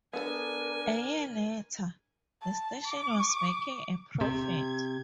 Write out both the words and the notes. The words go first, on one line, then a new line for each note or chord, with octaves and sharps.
A year later, the station was making a profit.
B3 D4 A4 A#4 G#5
A5
D6
C3 G#6